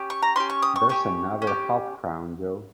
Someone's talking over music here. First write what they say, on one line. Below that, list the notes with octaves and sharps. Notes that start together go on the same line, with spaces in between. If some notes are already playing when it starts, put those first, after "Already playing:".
There's another half-crown, Jo.
Already playing: C#4 G4
C#6
A#5
C#4 G4 C6
C#6
D#6
C#6
C#4 G4 C#6
C#4
G4